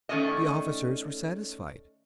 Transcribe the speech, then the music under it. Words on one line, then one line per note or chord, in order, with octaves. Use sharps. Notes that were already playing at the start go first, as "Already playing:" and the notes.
The officers were satisfied.
D#3 A3 C#4 D5 D#5